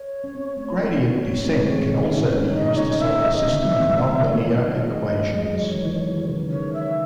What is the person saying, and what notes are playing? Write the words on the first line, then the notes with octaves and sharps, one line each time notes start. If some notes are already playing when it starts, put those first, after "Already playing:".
Gradient descent can also be used to solve a system of nonlinear equations.
Already playing: C#5
C#4
C4
A3
C#5
C#4
C4
A3
C4
G#3
E3
D#3
C#3
C#3
D#3
C#4
D#4
D#4
D#4 D#5
C#4
D#4 C#5
E5
D#5
C4 E5
E3
D#3
C#3
D#3
E3
E3
D#3 C#5
F#3
C#5
G#3 D#5
A3
G#3
G#3
F#3
F#3
E3 C#5
D#3
E3
E3
D#3
E3
C#3
D#3
C#5
E5